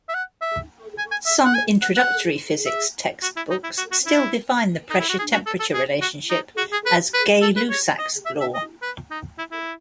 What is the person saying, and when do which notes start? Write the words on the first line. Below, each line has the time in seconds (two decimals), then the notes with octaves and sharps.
Some introductory physics textbooks still define the pressure-temperature relationship as Gay-Lussac's law.
0.09 E5
0.14 F#5
0.42 E5
0.98 G#5
1.11 G#5
1.26 E5
1.45 F#5
1.55 G#5
1.82 F#5
1.97 F#5
2.66 E5
3.23 F#4
3.37 E4
3.51 D#4
3.64 E4
3.78 F#4
3.92 F#4
4.06 E4
4.90 D#4
5.00 E4
5.09 F#4
5.19 G#4
5.32 F#4
5.46 A4
5.60 A4
5.74 G#4
6.02 F#4
6.30 D#4
6.58 F#4
6.73 G#4
6.86 B4
7.14 B4
7.42 A4
7.57 B4
7.70 C#5
7.99 D#5
8.26 E5
8.41 E5
8.54 D#5
8.82 B4
9.11 D#4
9.38 E4
9.52 E4